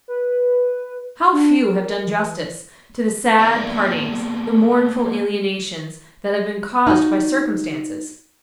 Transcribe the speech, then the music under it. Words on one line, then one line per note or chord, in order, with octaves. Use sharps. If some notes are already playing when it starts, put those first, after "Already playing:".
How few have done justice to the sad partings, the mournful alienations that have been caused by circumstances!
B4
D4
A#4
E3
A#3 B3 G#4 D5 E5
D#4 F#4